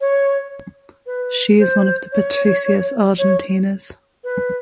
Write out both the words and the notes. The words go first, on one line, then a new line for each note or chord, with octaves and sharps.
She is one of the Patricias Argentinas.
C#5
B4
C5
C#5
C#5
B4